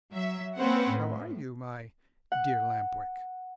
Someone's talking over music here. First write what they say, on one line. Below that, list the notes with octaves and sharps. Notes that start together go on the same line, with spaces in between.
"How are you, my dear Lamp-Wick?"
F#3 E5
A#3 C4 C#4 B4 C5 F#5
A2
F#5